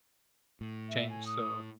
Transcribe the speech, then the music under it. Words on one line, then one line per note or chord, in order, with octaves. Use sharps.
change, so,
A2
E5
G#5
D#6